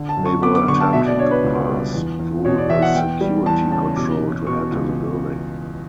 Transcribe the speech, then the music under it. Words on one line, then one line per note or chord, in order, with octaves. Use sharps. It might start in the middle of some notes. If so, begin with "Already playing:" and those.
They were attempting to pass through the security control to enter the building.
Already playing: D3
A5
F#2
C#6
B3 D6
D6
D3 C#6
A5
B2 E5
D5
D4 C#5
B4
C#2
G3
E2
E2
B2 C#5
D5
E2 E5
F#5
E2 G5
G3
E2 A5
C#3 A5
B2 D6
B2
B2 C#6
C#2